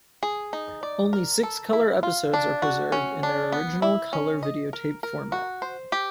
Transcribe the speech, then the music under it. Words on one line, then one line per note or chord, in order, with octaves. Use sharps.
Only six colour episodes are preserved in their original colour videotape format.
G#4
D#4
D5
A#4
A4
E4
F4
D4
F#4
C#4
D4
B3
E4
C#4
D#5
A#4
A#4
F#4
C5
G4